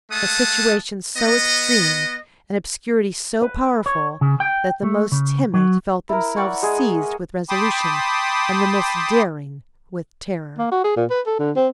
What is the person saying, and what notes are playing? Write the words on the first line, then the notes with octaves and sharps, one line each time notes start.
A situation so extreme, an obscurity so powerful, that the most timid felt themselves seized with resolution, and the most daring with terror.
G#3 A3 F#5 A5 D#6
B3 D#5
B4
C#5
C#3
G5
A3
C#3
F#3
E4 A#4
C#5 D5 F#5 C#6
G#3 G#4
D#5
G5 A5 B5 C6 D6 D#6
A#3
F#4
G#4
A#2
B4
A4
D3
C4